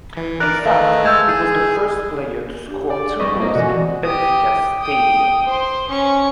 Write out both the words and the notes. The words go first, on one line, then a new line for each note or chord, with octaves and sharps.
In fact, he was the first player to score two goals in Benfica's stadium.
E3
A#4 D5 F#6
D#3 A3 D#4 B4 F5
G#3 A5 E6 F6 G6 G#6
G#4
D4 G4
D5
G3 C4 G4 B4 D#5 C#6
A3 A#3 A#4 C5
B2 E3 F#4 D5 G#5
G4 D#6
G5 D#6
C5 C6
C#4 C#6